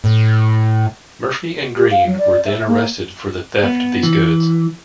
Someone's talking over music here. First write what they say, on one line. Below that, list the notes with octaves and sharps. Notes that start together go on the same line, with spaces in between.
Murphy and Green were then arrested for the theft of these goods.
A2
G4
F5
F#3
D5
E5
A#3
B3
E3